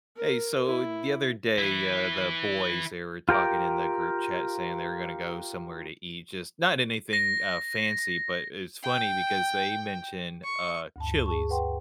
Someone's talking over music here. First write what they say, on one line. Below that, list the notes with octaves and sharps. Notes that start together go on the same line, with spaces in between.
Hey, so the other day, uh, the boys, they were talking in the group chat saying they were gonna go somewhere to eat, just not anything, uh, fancy, but it's funny because they mention, uh, Chili's.
A#4
E4
E4 B4
F4 G4 A#4 G5
A#6
G5
C#6
D2 G2 A5
G#4 A5 C#6
B4 F#5 G5 C6